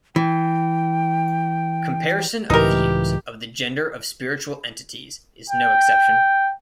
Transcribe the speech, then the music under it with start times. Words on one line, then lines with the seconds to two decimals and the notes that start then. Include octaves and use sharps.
Comparison of views of the gender of spiritual entities is no exception.
0.16 E3 G5
2.50 C#2 A2 E3 D#4 G4 A#4
5.50 G5